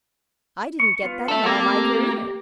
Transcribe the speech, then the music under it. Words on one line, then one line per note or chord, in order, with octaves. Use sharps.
"I didn't get that in all my career."
C#6
B3 F4
A4 E5
A3 A#3 C4 G4 A4